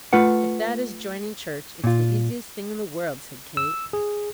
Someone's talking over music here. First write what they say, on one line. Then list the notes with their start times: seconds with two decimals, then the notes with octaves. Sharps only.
"If that is joining church, it's the easiest thing in the world," said Kate.
0.13 A3 F4 B4 F#5
1.84 A#2 F4
3.57 E6
3.93 G#4